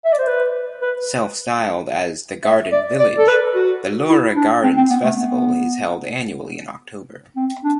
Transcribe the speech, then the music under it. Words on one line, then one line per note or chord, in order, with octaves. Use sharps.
Self-styled as "the Garden Village", the Leura Gardens Festival is held annually in October.
E5
D5
C5
B4
B4
E5
D5
D5
A4
B4
F#4
E4
D4
C4
C4
B3
A3
B3
C4
D4